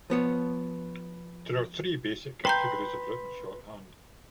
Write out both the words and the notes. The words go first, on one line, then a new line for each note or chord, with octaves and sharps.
There are three basic categories of written shorthand.
F3 B3 C#5
B4 G5 A#5 C6 G6